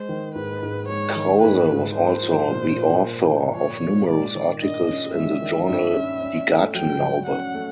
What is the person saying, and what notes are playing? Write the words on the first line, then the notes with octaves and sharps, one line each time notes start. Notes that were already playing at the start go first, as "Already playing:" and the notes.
Krause was also the author of numerous articles in the journal "Die Gartenlaube".
Already playing: G#3 C5
D#3
G#2 B4
G#2
G#3 C#5
D#3
G#2 B4
G#2
A#3 C5
F3
A#2
A#2
A#3
F3
A#2 C#5
A#2
G#3 D5
D#3
G2 D#5
C#4
G#3 E5
D#3
G2 E5
C#4
C#4
A3
F#3 G5
F#3
C#4 F#5
A3